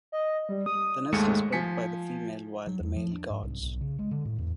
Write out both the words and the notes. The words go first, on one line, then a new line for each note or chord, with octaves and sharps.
The nest is built by the female while the male guards.
D#5
G3
D#6
D#2 G#2 G#3 A3 C#7
F3 G#5 B6 C#7
F#3
E2
F3
D4
G#2
C2
B1
C#3
G#3
D3
A2
E2